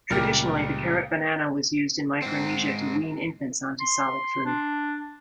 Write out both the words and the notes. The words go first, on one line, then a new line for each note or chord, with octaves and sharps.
Traditionally, the Karat banana was used in Micronesia to wean infants onto solid food.
C#2 A#2 G3 G4 A#4 F6
G#2 C4
C6
D4